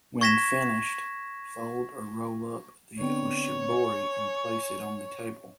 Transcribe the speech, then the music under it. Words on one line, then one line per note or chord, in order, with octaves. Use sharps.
When finished, fold or roll up the oshibori and place it on the table.
C#6 G#6 A#6 B6 E7
D3 B3 C4 C#5
G#5